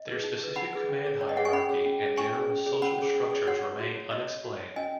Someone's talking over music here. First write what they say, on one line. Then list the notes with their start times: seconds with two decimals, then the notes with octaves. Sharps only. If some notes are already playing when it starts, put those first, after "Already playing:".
Their specific command hierarchy and general social structures remain unexplained.
Already playing: D#5
0.08 G#4 B4
0.24 D#4
0.39 G#4 B4
0.56 D#4 F#5 B5
0.73 G#4 B4
0.89 C#4
1.05 G#4 C#5
1.21 C#4 C#5
1.29 D#5
1.37 G#4 C#5 F#5
1.45 G#5 C#6
1.53 C#4 F#5 B5
1.69 G#4 C#5
1.86 C#4
2.02 G#4 C#5
2.17 C#4 G#5 C#6
2.34 G#4 C#5
2.50 C#4
2.66 G#4 C#5
2.82 C#4 F#5 B5
2.99 G#4 C#5
3.15 C#4
3.31 G#4 C#5
3.47 F#4 C#5 F#5
3.63 C#5
3.80 F#4
3.96 C#5
4.11 F#4 D#5
4.27 C#5
4.44 F#4
4.61 C#5
4.76 C#4 D#5 G#5